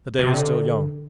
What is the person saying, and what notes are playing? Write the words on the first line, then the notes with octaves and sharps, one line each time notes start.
The day is still young.
C3
D3